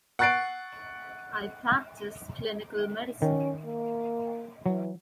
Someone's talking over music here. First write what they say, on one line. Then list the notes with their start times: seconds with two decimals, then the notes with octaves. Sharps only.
I practice clinical medicine.
0.19 F#5 C#6 F#6 A6 C7 D7
3.22 D#3 C#4
3.65 A#3
4.66 E3 F#3